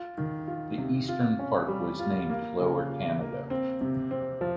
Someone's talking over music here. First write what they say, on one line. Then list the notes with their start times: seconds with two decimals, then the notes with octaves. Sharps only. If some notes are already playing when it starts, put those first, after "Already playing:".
The eastern part was named Lower Canada.
Already playing: F4
0.18 D#3
0.47 F4
0.78 C3
1.09 F4
1.39 C#4
1.68 G3
1.99 F4
2.30 A#3
2.60 C#3
2.90 F4
3.21 A#3
3.50 C4
3.81 C3
4.11 C4
4.41 F3